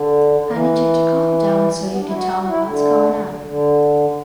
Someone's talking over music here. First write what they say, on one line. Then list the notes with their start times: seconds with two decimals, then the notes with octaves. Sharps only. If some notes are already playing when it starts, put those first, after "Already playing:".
I need you to calm down so you can tell me what's going on.
Already playing: D3
0.40 D3
0.51 E3
1.82 F#3
1.90 B3
1.98 D4
2.07 E4
2.15 F#4
2.40 F#4
2.47 E4
2.64 D3
3.13 D3
3.25 D3
3.46 D3